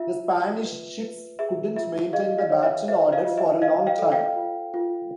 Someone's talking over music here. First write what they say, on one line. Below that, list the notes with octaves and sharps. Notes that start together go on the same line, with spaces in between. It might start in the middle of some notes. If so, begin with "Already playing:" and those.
The Spanish ships couldn't maintain the battle order for a long time.
Already playing: F4 E5
F4
B4
B4
G#4 E5
F4 E5
G#4 D#5 F5
D#5 F5
C#5
E5
C5 E5
D#5 F5
F4
E5
C5 D#5 F5
F5 G5
A4
F5 G5
F4
F4